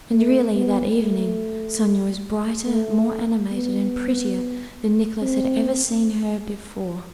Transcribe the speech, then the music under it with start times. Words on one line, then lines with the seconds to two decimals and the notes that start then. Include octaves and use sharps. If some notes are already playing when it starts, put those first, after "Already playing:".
And really, that evening, Sonya was brighter, more animated, and prettier than Nicholas had ever seen her before.
0.12 A3
0.55 B3
0.98 A3
2.67 A3
3.52 B3
5.22 C4